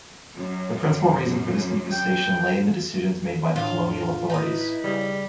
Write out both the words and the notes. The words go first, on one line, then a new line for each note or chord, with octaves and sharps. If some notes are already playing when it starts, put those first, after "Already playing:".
The principal reason for this infestation lay in decisions made by the colonial authorities.
F#2
G5
A2 D4 F4
D#4 E4 B4 D#5
C#3 G3